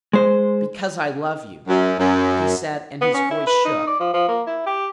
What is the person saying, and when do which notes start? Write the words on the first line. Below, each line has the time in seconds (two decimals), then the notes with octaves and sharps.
"Because I love you," he said, and his voice shook.
0.13 G#3 C5
1.68 F#2
1.99 F#2
3.01 B3
3.14 C#4
3.31 E4
3.47 B4
3.65 D#4
3.87 D5
4.00 F3
4.14 F3
4.29 A#3
4.47 E4
4.66 G4